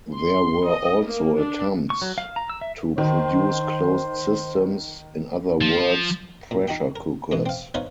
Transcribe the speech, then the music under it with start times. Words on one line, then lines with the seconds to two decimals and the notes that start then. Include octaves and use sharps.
There were also attempts to produce closed systems, in other words "pressure cookers".
0.14 C6
0.67 D#5
1.04 A#3
1.38 D4
1.90 C#6
2.02 F#3
2.18 F5
2.36 A#5
2.50 E6
2.61 E5
2.98 D#3 C5
5.61 F3
6.51 A#2
6.68 D#4 F#4 G4
6.96 A#4
7.31 G#2 B2 E3
7.46 C4 F5
7.74 B3 D#4 C5 C#5 F5 F#5